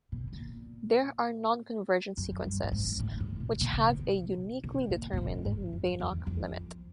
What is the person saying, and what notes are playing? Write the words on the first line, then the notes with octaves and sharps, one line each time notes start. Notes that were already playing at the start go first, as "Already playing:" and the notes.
There are non-convergent sequences which have a uniquely determined Banach limit.
B2
A#2
F#2
G2
A2
G#2
A2
A2
B2
B2
C3
B2
B2
A#2
A#2
A2
G#2
F#2
E2
F2